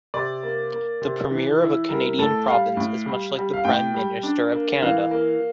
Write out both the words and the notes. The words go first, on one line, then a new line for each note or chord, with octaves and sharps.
The premier of a Canadian province is much like the Prime Minister of Canada.
C3 D5
A#3
A#3
C3
E3
E4
G3 A#4
A2 A4
G3 F5
A2
G3
G3
F5
A2 G5
G3
D4
A#3
E3 F5
A#3